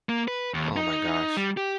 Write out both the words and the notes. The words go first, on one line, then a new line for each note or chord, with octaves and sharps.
Oh my gosh.
A#3
B4
D#2
D#4
G3
G4